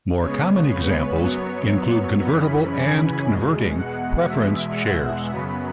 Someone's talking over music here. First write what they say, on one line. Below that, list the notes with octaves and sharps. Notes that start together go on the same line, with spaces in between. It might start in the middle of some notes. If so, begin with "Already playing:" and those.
More common examples include convertible and converting preference shares.
C#3 G#3 B3 C#5
B4
F#2 F#3 B3 C#5
F#2 C#3 E3 C#4 B5
G#5
E2 B2 G#3
F#5
E2 B2 G#3 E5
F#5
F#2 C#3 F#3 B3 B5